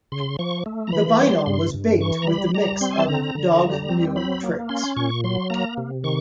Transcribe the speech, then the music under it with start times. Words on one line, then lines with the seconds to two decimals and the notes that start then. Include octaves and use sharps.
The vinyl was backed with the mix of "Dog New Tricks".
0.12 C#3 C6
0.39 F3 C#6
0.66 A3
0.87 A#5
0.92 E3 B5
1.20 G3 C6
1.46 G2 C6
1.74 G2
2.00 E3 C#6
2.22 A#5
2.27 G3 B5
2.54 G3 A#5
2.81 C4 C6
2.91 G#5
2.99 A5
3.08 D3 A#5
3.35 D3
3.62 G3
3.89 C4
4.16 F#3 B5
4.43 A#3
4.69 C#4 C6
4.96 A#2 C#6
5.24 F#3 C6
5.50 A#3 A#5
5.78 C3
6.04 D#3 C#6